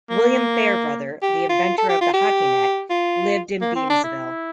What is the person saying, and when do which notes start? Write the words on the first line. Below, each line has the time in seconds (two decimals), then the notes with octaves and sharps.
William Fairbrother, the inventor of the hockey net, lived in Beamsville.
0.09 A#3
1.22 G4
1.49 F4
1.78 A4
1.89 G4
2.01 F4
2.13 G4
2.90 F4
3.61 A#3
3.75 C4
3.90 D4
4.04 E4